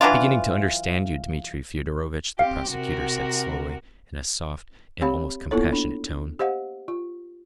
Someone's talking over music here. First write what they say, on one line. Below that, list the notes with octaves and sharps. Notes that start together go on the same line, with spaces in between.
"I am beginning to understand you, Dmitri Fyodorovitch," the prosecutor said slowly, in a soft and almost compassionate tone.
E3 F#3 D4 F4
C4 G4 F5
C3 F#4 A#4
C4 G4 C#5 F5 B5
A#3 B3 E4 F4 A4 C#5
D4
G4 C5 D#5 F5 F#5
F4